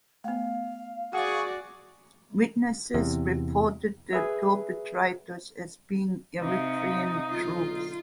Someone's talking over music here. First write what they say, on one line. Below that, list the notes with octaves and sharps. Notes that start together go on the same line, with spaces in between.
Witnesses reported the perpetrators as being Eritrean troops.
A3 B3 F5
F#4 G#4 D5 F#5 C#6
E2 C3
G#4 B4 E5
C3 D#4 F5
B1 D3 F4